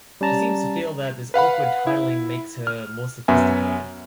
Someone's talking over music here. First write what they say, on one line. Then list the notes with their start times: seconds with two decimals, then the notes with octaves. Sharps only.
She seems to feel that this awkward titling makes her more sophisticated.
0.21 G3 C#4 A5 A#5
1.34 B4 F5 F#5 B5
1.87 E4
2.67 F6
3.28 F#2 B3 E5 G#5